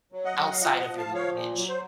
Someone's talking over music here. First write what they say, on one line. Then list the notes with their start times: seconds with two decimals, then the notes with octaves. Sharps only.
outside of your mortgage,
0.12 F#3
0.25 D#5 F#5
0.37 F#3
0.51 F5
0.60 F3 D#5 F#5
0.78 D#5 F#5
0.84 F3
0.97 F5 A5
1.08 F3
1.14 C#5 F5
1.33 A#2
1.56 F#3
1.69 C5